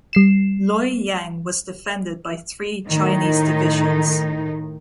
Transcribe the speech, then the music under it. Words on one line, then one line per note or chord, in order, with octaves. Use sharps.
Luoyang was defended by three Chinese divisions.
G3 C7 E7
A2 D#3 D#4